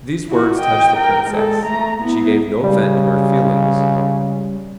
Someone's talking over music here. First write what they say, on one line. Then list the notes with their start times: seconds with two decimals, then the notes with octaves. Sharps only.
These words touched the Princess, but she gave no vent to her feelings.
0.27 E4 F#4
0.60 D#5 G5
0.96 A#4 G5
1.31 G#3 A4
1.65 A3 A#5
2.01 B3 E4
2.64 C#3 G3